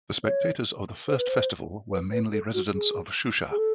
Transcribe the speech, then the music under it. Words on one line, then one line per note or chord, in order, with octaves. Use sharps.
The spectators of the first festival were mainly residents of Shusha.
C#5
C5
B4
C5
B4
B4
A4
F#4
G#4
G#4
A4